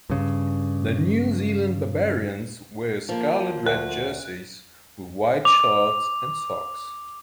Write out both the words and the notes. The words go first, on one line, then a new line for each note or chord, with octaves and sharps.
The New Zealand Barbarians wear scarlet red jerseys with white shorts and socks.
G2 C#3
F3 A#3
D2 F#6
D6 F7